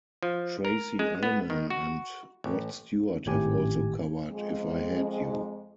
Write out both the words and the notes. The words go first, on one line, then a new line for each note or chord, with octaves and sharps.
Tracey Ullman and Rod Stewart have also covered If I Had You.
F3
A#4
G#3
B3
D#3
F#4
A1
G#1 A2 G4 G#5
F2 G#3